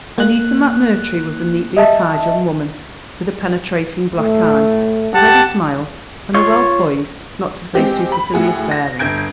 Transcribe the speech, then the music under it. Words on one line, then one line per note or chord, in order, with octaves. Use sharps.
Annita McMurtry was a neatly attired young woman, with a penetrating black eye, a ready smile and a well-poised, not to say supercilious bearing.
A#3 F#6
D#5 E5 A5
A2 A3
G4 F#5 A5
F4 C#5
G#3 C4 G4
B5
A2 F#4 G#4
A#6
G1 G6 G#6 D7